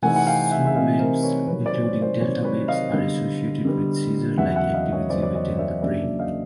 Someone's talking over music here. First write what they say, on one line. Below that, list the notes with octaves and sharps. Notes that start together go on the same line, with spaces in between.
Slow waves, including delta waves, are associated with seizure-like activity within the brain.
C3 E3 A3 C4 D#4 F#5 G#5
F#5
F5 G5
E5 F#5
E5
C3 E3 A3 C4 D#4 D#5 F5
A#4 C5
B4 C#5
C3 D#3 F#3 B4 C#5
C5 D5
B4 C#5
C5 D5
C3 D#3 F#3 B4 C#5
B4 C#5
D#5 F5
D3 G3 B3
D3 G3 B3
E2 C#3 F#3 B3 E5 F#5
E5 F#5
D#5 F5
C#5 D#5
E2 C#3 F#3 B3 C5 D5
D5
C#5 D#5
D5 E5
C#3 F#3 A#3 D4 D5 E5
D#5 F5